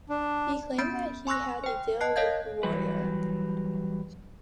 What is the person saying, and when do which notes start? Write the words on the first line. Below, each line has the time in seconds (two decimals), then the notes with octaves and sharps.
He claimed that he had a deal with Royer.
0.09 D4
0.78 B3 C#4 B5 G6 A6 D7
1.27 G#5 C6 C#6 E6 F#6 A#6
1.64 C5 G5
2.01 D#5 A5 F#6 C7
2.16 A#4 C#5 D#5 F5 G6 G#6
2.63 E3 F#3 G3 B4